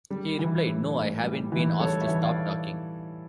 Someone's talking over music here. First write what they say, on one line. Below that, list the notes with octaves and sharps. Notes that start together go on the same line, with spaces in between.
He replied: No, I haven't been asked to stop talking.
G3
E3
A2
A2
G3
E3
G3 A4 C#5
C#5 E5
E3
D5 F5